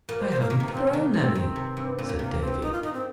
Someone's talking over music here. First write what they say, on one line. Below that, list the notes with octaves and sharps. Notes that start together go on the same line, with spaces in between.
"I haven't thrown any," said Davy.
A#2 A#4
C5
C5
A#3
D#3 A#3
C3
A#2 C4
C3
C3
D#3 A#3
C3 C4
D#3 C4
C3
G2
A#2
A#2
C3 A#3
G2
C4
A#2
A#2 D#4
F4
A#2 D#4
C4